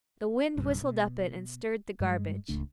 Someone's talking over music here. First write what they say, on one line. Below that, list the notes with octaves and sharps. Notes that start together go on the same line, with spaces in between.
The wind whistled up it and stirred the garbage.
B1 G2 C#3
B2
G2 G3 G#3
D1 C#2 A3 D4